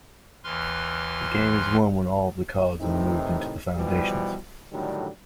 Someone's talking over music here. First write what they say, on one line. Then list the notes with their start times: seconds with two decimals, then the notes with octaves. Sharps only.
The game is won when all of the cards are moved into the foundations.
0.44 D#2 E3 B4 C6 F6
2.80 A2 C3 D#3 E3 C4 D#4
3.77 B2 E3 F3 G3
4.72 A2 D3 D#3 F#3 G3 D4